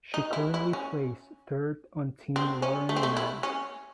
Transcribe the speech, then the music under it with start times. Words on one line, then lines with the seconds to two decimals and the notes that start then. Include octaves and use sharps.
She currently plays third on Team Lauren Mann.
0.14 D#4
0.33 E4
0.54 E4
0.73 C#4
2.36 C4
2.62 C#4
2.89 A3
2.96 C4
3.03 A3
3.17 E4
3.43 C#4